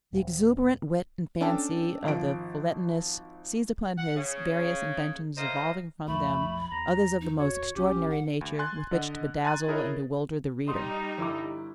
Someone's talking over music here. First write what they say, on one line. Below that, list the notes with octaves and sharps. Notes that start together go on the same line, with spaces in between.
The exuberant wit and fancy of the feuilletonists seized upon his various inventions evolving from them others of the most extraordinary nature with which to bedazzle and bewilder the reader.
D#1
C#4 D4 A4 G5 A5
G#1 F3 D7
F#5
C#3
A2 A#4 C5 D#5 F5
B1 F2 F3 A3 B5
E2 A#5
D#4
F#4 C#5
A#1 C#4 G4
F#5
D2
G#5 C6 F#6 A6
D3 D#5 F#5
G#5 A#5 C6 F#6 A6 D#7
E4 G#4 A#4 C#5 D#5
G3 D#4 C6 D#6
G1 E4 D6